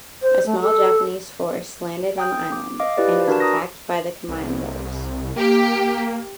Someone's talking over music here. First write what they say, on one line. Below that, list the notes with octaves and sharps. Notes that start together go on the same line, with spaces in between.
A small Japanese force landed on the island, and was attacked by the commandos.
C5
A3
A4
G5 D#6 G6
D6
D#5 F5 D6
E4 G4 B4 D5 F5
D4 F#4 A#4 B4 D5 A5
A#5 D#6 A#6
C2
A#3 G4